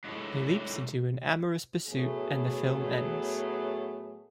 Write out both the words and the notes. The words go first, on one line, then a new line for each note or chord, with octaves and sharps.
He leaps into an amorous pursuit and the film ends.
F#3 G#3 E4 G#4 A4 C#5
A2 F#3 A3 B3 G#4